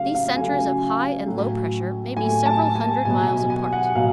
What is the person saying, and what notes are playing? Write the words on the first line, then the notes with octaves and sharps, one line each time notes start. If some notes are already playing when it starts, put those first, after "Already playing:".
These centers of high and low pressure may be several hundred miles apart.
Already playing: C#3 F#3 A3 F5
F5
C#3 F#3 A3 G#5
A2 F#3 A3
A2 F#3 A3 G#5
A5
G#5
B2 F#3 B3 G#5
G#5
G#5
F#5
B2 F#3 F5